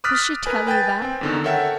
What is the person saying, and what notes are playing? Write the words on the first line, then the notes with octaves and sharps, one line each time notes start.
"Did she tell you that?"
D6 D#6 F6 F#6 A6 B6
A#4 B4 G#5
B4 G5 G#5 A6
C4 G5
E2 D3 D#3
A4 A#4 C#5 E5 F#5 G5